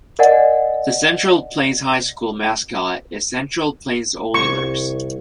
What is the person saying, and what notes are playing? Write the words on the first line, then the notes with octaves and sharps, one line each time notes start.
The Central Plains High School mascot is Central Plains Oilers.
A#4 D5 D#5 F#5 G#5
C2 C#6